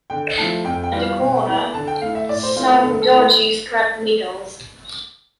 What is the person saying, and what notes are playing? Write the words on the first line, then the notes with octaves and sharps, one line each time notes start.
At a corner, some dodgy scrap metals.
D3 G5
F3 A3 E4 A5
F2 G5
G5
E3 G3 B3 F4
F5
B2
B3 E4
D3 A5
G5
A3 E4 F5
E5
A2 D5
C5
E3 A3 C4 F4 B4
B4
D3 A4
A4
A3 E4
B4